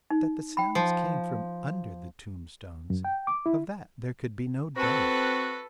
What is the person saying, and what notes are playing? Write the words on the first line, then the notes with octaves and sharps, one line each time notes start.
That the sounds came from under the tombstones of that there could be no doubt.
D#4
G5 B5
F3
F#2
G5
D6
E4
C4 F#4 A4 B4